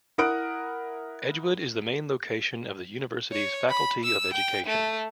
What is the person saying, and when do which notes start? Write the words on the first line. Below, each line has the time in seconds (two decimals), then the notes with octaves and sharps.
Edgewood is the main location of the university's Faculty of Education.
0.18 E4 A#4 F#5 D#6 F#6 D7
3.32 C#5
3.70 B5
4.04 E6
4.33 G5
4.66 A3